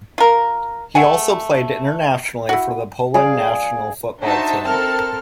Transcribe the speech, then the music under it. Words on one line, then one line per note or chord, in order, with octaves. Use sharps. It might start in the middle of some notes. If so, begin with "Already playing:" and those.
He also played internationally for the Poland national football team.
F4 A#4
A3 G#4 F#5 G#5
E4 F#4
G#4 D5 F5
D4 D#4 F#4 C5 E5 A5
C4 A4 A#4 C5 A5 F6